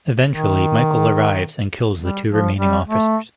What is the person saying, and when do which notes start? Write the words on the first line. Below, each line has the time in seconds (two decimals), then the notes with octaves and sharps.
Eventually, Michael arrives and kills the two remaining officers.
0.28 D#3
2.00 G3
2.29 F3
2.58 G3
2.87 A3